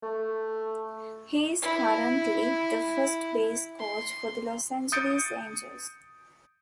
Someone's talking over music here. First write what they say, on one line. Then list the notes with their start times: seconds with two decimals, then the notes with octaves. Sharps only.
He is currently the first base coach for the Los Angeles Angels.
0.03 A3
1.62 E4
3.80 C6
4.92 D#6 G6 A6 C#7 D7